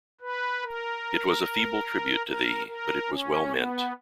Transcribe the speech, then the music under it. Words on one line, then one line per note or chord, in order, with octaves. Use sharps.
It was a feeble tribute to thee, but it was well meant.
B4
A#4
A#4
A#4
C#4
B3